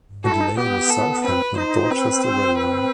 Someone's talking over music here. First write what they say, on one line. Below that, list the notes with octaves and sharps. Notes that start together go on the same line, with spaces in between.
It lay on the Southampton and Dorchester Railway.
F#4 A4
E4
D#4
B3 G4
A4
C4 B4
D#4 C5
C4 B4
C5
B4